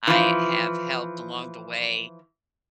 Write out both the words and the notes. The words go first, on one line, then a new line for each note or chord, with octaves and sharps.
I have helped along the way,
E3 F3